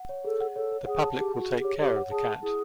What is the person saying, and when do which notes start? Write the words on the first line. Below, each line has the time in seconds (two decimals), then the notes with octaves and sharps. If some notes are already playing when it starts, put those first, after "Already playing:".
The public will take care of the cat.
Already playing: F#5
0.09 C#5
0.25 G#4 A4
0.40 F#5
0.56 A4 C#5
0.71 C#5
0.87 G#4 F#5
1.02 A5
1.18 G4 G#4
1.34 F#5
1.39 F#4
1.50 G#4
1.59 G4
1.64 C#5
1.80 G4 C#5
1.96 F#5
2.11 G#4 A5
2.27 F#5
2.42 E4 G#4